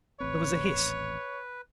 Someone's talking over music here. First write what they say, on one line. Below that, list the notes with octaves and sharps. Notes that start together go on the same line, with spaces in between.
There was a hiss.
D#1 A1 C4 B4 C#5